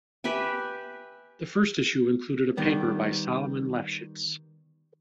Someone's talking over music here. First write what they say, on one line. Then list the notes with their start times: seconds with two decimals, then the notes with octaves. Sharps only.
The first issue included a paper by Solomon Lefschetz.
0.24 G4 B4 E5 G#5
2.57 D#3 G3 B3